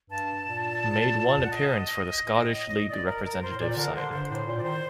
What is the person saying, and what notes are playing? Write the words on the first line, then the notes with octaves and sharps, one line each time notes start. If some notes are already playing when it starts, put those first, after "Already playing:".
He made one appearance for the Scottish League representative side.
G2 A5
A#2
F#5
D#5
A2
D5
A#4
A#4
C5
A2
A#2 D5
D3 A#4
D3 C5
G2 C5
A2 C5
A#2
D5
D#3 C5